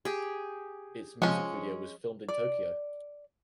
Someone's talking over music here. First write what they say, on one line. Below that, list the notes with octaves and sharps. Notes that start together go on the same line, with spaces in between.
Its music video was filmed in Tokyo.
G4 G#4
F3 G#3 C#4 C#6
D5